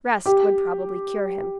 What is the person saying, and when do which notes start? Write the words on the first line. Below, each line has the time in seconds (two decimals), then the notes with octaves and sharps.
Rest would probably cure him.
0.26 G4